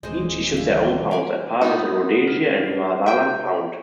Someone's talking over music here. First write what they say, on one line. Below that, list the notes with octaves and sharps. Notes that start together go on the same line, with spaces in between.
Each issued their own pounds, at par with the Rhodesia and Nyasaland pound.
D#1 D2 E3 G#3 C5 D#5
D3 G3 C#4 E5 F5
G#5 D6
A3 B3 D#4
C#4
C7
E5 G5